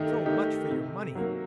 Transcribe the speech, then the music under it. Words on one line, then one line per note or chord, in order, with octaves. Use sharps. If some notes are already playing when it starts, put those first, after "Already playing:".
So much for your money!
Already playing: D#3 A3 D#4 G4
A3 D#4 G4
C3
F#3 A#3